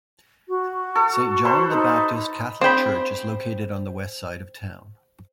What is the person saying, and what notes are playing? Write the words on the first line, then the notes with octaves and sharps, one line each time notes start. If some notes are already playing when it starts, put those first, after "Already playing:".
Saint John the Baptist Catholic Church is located on the west side of town.
F#4
A4
A4 B4 C5
D#4
C4 G#4 G5 B5